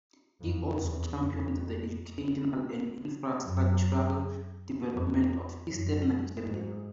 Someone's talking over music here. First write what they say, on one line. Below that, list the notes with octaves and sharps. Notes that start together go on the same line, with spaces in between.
He also championed the educational and infrastructural development of Eastern Nigeria.
F2
E2
F2
F#2
F2
F#2
G#2